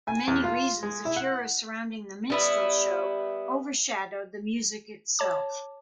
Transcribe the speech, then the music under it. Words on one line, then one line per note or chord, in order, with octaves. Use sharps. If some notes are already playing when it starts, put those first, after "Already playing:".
For many reasons, the furor surrounding "The Minstrel Show" overshadowed the music itself.
G#5
E2
F4
G#3
E4
F#5
G3 B3 E4
C#5 A5 D6